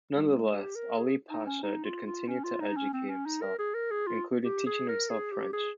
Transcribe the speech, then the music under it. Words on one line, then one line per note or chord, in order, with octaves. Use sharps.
Nonetheless, Ali Pasha did continue to educate himself, including teaching himself French.
G3
G#3
G4
A#4
G#4
D#4
C#4
D#4
F4
F4
C#4
F4
D#4
C#4
C4
C#4
D#4
A#4
G#4
A#4
G#4
F4
G4
G#4
A#4
G#4
G4
G#4